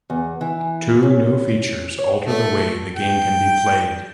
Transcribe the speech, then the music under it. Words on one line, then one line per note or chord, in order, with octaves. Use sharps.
Two new features alter the way the game can be played.
E2
E3
C#4
C#5
A3
G5